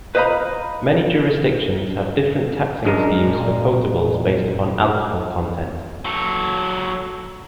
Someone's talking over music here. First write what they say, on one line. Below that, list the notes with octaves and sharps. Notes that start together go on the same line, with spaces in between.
Many jurisdictions have different taxing schemes for potables based upon alcohol content.
B4 C5 D#5 F5 A#5 B5
F#2 G#3 D4 A#4
A#2
F#3 A4